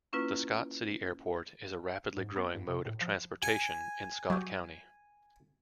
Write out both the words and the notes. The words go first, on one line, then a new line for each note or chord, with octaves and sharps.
The Scott City Airport is a rapidly growing mode of transportation in Scott County.
A#3 C#4 E4 F4 B4
G#2
B3
G2
C3
A2
F3
G#5 C#7
F#3 G4